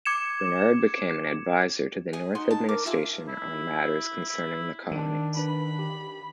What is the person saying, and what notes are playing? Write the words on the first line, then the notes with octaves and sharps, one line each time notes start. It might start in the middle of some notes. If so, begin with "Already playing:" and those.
Bernard became an advisor to the North administration on matters concerning the colonies.
D6 G#6 C#7 E7
G#4 D#5
D#4 F#4 C6
A5
A#4 D6
F4 G#4 E5
E4
E4
D#3 D4
D4 B4 B5
G4